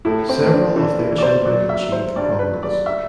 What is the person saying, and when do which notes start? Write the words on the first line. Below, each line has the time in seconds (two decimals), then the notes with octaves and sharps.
Several of their children achieved prominence.
0.05 A2 E4
0.29 C4
0.41 A2
0.53 D4
0.76 E3 D4
0.99 E4
1.11 E3
1.18 D5
1.22 C5
1.45 F#3 D5
1.69 E5
1.81 F#3
1.92 C5
2.16 G2 D5
2.39 B4
2.51 F#3
2.63 D5
2.86 E5